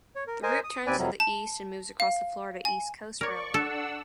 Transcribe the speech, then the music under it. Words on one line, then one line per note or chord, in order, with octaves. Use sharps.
The route turns to the east and moves across the Florida East Coast Railway.
C#5
A#4
A#4 C5 D#5 G#5
D#6
D#2 C4 B4 D5 G#5
F2 C3 F#3 G3
A5
F5
G#5
A#4 C#5 D5 C#6
D4 A4 F#5 E6